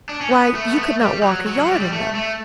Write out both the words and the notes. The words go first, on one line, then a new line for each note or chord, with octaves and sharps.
'Why, you could not walk a yard in them!'
D4
C#4
B3
A3
B3
A3
G3
F#3
F#3
F#3
G3
G3
A3
A3